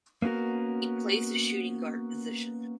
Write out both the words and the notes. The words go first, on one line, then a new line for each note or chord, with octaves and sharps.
He plays the shooting guard position.
A#3 B3 C#4 F#4 A#4